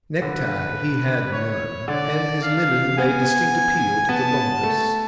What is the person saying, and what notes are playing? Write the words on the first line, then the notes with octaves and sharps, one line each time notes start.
Necktie he had none, and his linen made distinct appeal to the laundress.
D3 B4
C#5
D3 D5
F5
B3 G#5
B3 A5
A3